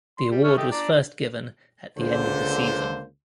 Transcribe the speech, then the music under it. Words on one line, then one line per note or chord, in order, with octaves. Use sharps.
The award was first given at the end of the season.
C6
G3
A3 C#5 F6
A3 G4 D#5
D4 D5 A#5
C#2 D3 A#3 C5